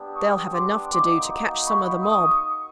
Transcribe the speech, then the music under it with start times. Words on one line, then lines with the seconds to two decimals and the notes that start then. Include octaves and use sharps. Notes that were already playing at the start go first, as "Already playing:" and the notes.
They'll have enough to do to catch some of the mob.
Already playing: G3 B3 D4 G4
0.16 C#6 D#6
0.53 C6 D6
0.91 A#3 D#4 F#4 C6 D6
1.66 B5 C#6
2.04 C#6 D#6